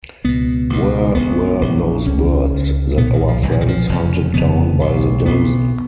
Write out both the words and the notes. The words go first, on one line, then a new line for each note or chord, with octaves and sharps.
Where were those birds that our friends hunted down by the dozen?
C#2 B2 B3
C#2 B2
A#1 G#2 B3
A#1 G#2
C#2 C#3 C#4
C#2 C#3
B1 A#2 B3
D#3
F3
B1 A#2 F#3
F3
D#3
F3
F1 F2 C#3
F1 F2 C#3 B3
B1 B2
B1 B2 B3